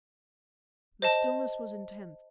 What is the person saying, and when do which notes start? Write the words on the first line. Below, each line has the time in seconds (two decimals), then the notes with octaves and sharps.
The stillness was intense.
1.02 C5 D#5 A5